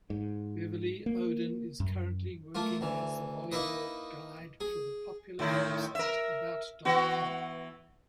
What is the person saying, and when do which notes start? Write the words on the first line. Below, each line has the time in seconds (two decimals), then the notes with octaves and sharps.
Beverly Oden is currently working as the Volleyball Guide for the popular website About.com.
0.10 G#2
1.06 A#3
1.80 F#2
2.55 A3 A#3 F4
2.81 D2 E3
3.52 A#3 D#4 E4 B4 D#5
4.60 G#4
5.39 A2 D#3 E4
5.95 A#4 E5
6.85 E3 B3 F#4